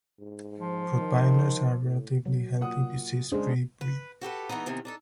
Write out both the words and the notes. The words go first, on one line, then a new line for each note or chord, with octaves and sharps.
Rottweilers are a relatively healthy, disease-free breed.
G#2
F3
D#3
A2
F#3
A#2 F#5 D#6
C#3 G#3 D4 G#4 C5
B4
F#4 G4 A4 B4
E3 G#3 B3 D#4
C3 D#3 E3 B3
D4 D#4 A4